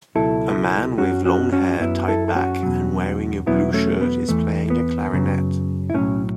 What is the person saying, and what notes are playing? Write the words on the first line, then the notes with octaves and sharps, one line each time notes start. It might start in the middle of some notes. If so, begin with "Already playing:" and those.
A man with long hair tied back and wearing a blue shirt is playing a clarinet.
C#2 B2 F#3 E4 A4
F#2 F#3 C#4 F#4
C#4 F#4
C#4 F#4
F#2 F#3 B3 E4
E4 A4
A4
C#4 F#4
E2 B2 F#3
E2 B2 F#3 B3 E4
A3 C#4
B3
E2 E3 A3
B3
F#2 C#3 F#3
E4
B1 A2 F#3 A3 C#4